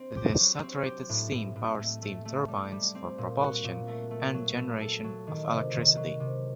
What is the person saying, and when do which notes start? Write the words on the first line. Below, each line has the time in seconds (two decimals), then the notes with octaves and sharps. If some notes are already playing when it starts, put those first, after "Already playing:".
This saturated steam powered steam turbines for propulsion and generation of electricity.
Already playing: C4
0.17 G4
0.40 F#3
0.63 C4
0.86 G4
1.09 A2
1.33 A2
1.56 A2
1.79 A3
2.02 A3
2.25 A3
2.48 G3
2.72 G3
2.95 C4
3.18 A#2
3.41 F#4
3.64 A#2
3.88 A3
4.11 A3
4.34 F#3
4.57 A3
4.81 A4
5.04 F#3
5.27 D#3
5.50 C3
5.73 D#3
5.97 F#3
6.20 C3